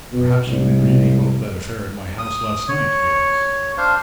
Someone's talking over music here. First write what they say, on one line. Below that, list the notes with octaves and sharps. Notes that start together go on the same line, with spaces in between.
"Perhaps you've been reading about that affair at my house last night?" he asked.
B2
C2
D#6
C#5
D4 C5 F5